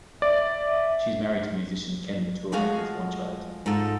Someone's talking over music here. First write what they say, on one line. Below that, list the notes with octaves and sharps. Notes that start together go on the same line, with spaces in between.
She's married to musician Ken LaTour and has one child.
D5 E5
F3 G#3 A3 F#4 G#4 F5
G#2 D#4 F4 A4